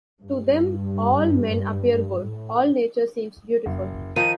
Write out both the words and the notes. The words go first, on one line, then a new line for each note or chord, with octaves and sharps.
To them all men appear good, all nature seems beautiful.
G2
A2
F#1
D#3 F3 D#4 D#7